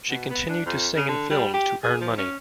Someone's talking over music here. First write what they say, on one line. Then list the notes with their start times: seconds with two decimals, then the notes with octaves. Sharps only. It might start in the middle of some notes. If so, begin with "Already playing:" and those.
She continued to sing in films to earn money.
0.10 B2
0.30 B3
0.49 D4
0.66 F2
0.96 C#3
1.08 D3
1.30 G3
1.53 G4
1.84 G#4
2.01 F3
2.18 C#4